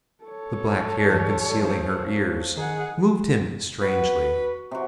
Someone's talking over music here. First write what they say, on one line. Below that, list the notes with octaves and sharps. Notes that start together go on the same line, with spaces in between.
The black hair concealing her ears moved him strangely.
A4 C#5
G2 E3 G3
G#4 C5 F5
D#3 G#4 F#5
F#4 B4
C3 F#4